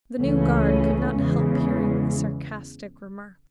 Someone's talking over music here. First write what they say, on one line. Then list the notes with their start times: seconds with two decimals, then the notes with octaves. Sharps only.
The new guard could not help hearing the sarcastic remark.
0.18 C#2 C#3 E3 A3 C#4
1.18 E2 C#3 E3 G#3